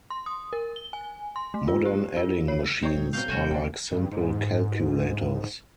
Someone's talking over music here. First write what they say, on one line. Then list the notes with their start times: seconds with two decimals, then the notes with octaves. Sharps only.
Modern adding machines are like simple calculators.
0.10 C6
0.26 D#6
0.53 A#4
0.76 G7
0.93 G#5
1.36 C6
1.54 A3
1.68 F4
1.86 G4
2.17 F4
2.48 C#5
2.83 C4 D#4 C#5
2.95 A2 G#3
3.13 B2 F#3 C4 F5 G6
3.28 C3 G3 A3 C#4 F#4 G#5
3.51 C#3 D4 G5
3.91 G2
4.11 G#2